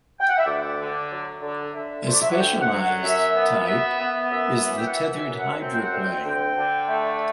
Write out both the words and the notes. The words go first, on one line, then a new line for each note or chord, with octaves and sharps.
A specialized type is the tethered hydroplane.
G5
F#5
E5
D2 D5
D3
F#3
D3
D3 E5
F#3 C5
D5
E5
F#5
D2 G5
F#5
F#3
F#5
F#2 E5
B3
B3 E5
B3
F#2 E5
E3
G5
F#5
F#2 E5
E5
F#2
F#5
C4
G5
F#5
D2
G5
D3 G5
D3
A3